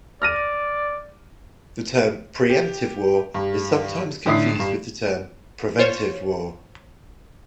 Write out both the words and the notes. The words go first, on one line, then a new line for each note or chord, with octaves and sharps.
The term 'preemptive war' is sometimes confused with the term 'preventive war'.
D5 F6 A#6 D#7
G4
G2
A2 D3 D#4 E4 D#6 C7
G2 E7
F4 C5 C#5